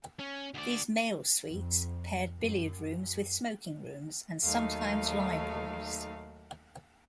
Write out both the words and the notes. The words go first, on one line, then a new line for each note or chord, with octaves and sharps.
These male suites paired billiard rooms with smoking rooms and sometimes libraries.
C#4
D2 D5
F2
F#2
D#2 F#3 A3 D#4 F5